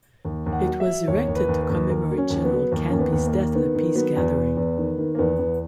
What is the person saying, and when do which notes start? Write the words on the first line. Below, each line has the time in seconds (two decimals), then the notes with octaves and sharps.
It was erected to commemorate General Canby's death at a peace gathering.
0.25 D#2
0.46 D#2
0.53 F#5
0.66 F#3
0.80 E5
0.86 F#3
1.08 D#2 C#5
1.28 D#2
1.35 B4
1.49 D#2
1.62 B4
1.70 D#2
1.90 D#2 A#4
2.11 F#3
2.18 C#4
2.30 D#2
2.44 B3
2.52 F#3
2.72 D#2 A#3
2.89 D#2 C#4
2.99 B3
3.12 D#2
3.27 A#3
3.33 D#2
3.54 D#3 B3
3.75 D#3
3.95 F#3 B3
4.16 E2
4.37 E2
4.57 E2
4.78 D#3
4.98 D#3
5.15 A#3
5.18 E2 B3
5.39 E2